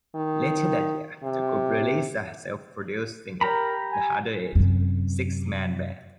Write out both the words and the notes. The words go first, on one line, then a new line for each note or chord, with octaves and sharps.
Later that year, the group released a self-produced single, the harder-edged "Six Man Band".
D#3
C3
G4 A#4 A#5 B5
G#5
F#2 C3